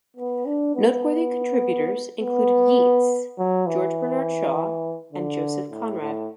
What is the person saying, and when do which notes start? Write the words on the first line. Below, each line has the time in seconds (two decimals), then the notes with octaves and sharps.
Noteworthy contributors included Yeats, George Bernard Shaw, and Joseph Conrad.
0.17 B3
0.46 D4
0.75 B3
2.21 B3
3.38 F#3
3.66 E3
5.12 D3
5.71 A2
6.01 A2